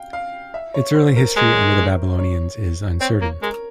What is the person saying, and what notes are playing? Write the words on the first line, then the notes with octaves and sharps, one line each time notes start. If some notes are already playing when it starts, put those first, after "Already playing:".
Its early history under the Babylonians is uncertain.
Already playing: F5 G5
F5
E5
C#5
C5
A#4
G#3 A#4
C#5
C4 C#5
A#3
G#3 A#4